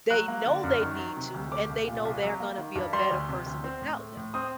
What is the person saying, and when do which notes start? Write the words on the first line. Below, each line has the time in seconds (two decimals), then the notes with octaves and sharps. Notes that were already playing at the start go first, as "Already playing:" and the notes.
They know they need to, and they know they're gonna be a better person without them.
0.10 F#3 F#6
0.28 A#3
0.46 D3
0.64 F#2
0.81 D#3
0.99 F#3
1.17 C3
1.34 D2
1.52 A3 D6
1.69 C2
1.88 A#2
2.05 C2
2.23 F#3
2.40 A#3
2.58 D#3
2.75 G2
2.93 G3 C6
3.11 D2
3.29 C3
3.46 D2
3.64 C4
3.82 A2
3.99 A3
4.17 A2
4.34 C4 D#6